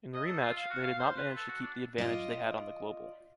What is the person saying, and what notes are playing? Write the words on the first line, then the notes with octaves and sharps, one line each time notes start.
In the rematch, they did not manage to keep the advantage they had on the global.
D#5
A4
F4
F5
F#4
F5
C5
B4
A4
F#4
D4
F4 D5 D#5